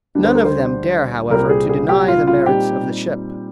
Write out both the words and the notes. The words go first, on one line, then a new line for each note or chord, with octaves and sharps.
None of them dare, however, to deny the merits of the ship.
D2 D3 G3 D4
C5
A#4
C5
C2 A#2 G3 C4 A#4
G#4
G#4
G4
F4
F4
A#2 G3 C4 D#4 G4